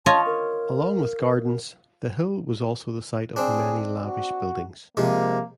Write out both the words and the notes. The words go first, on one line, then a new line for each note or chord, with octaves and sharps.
Along with gardens, the hill was also the site of many lavish buildings.
F4 C#5 D#5 A5
A#4
C4 D4 G#4
F#4
C3 F3 G#3 A#3